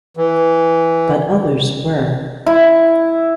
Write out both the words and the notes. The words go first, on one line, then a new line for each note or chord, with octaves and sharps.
But others were.
E3
E4